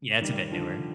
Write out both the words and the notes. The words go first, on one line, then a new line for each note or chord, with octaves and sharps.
Yeah, it's a bit newer.
D#3 G3
D3 F3